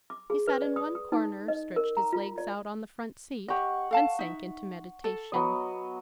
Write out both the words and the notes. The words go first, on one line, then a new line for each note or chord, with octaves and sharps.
He sat in one corner, stretched his legs out on the front seat, and sank into meditation.
D6
G#4
B4
D5
D#6
D#6
D#4
D#5
A#4
A#5
F4
D5
G4 D#5 F#5 C#6
A4 F5 A5
D#4 E5
A4
F#3 B3 D#5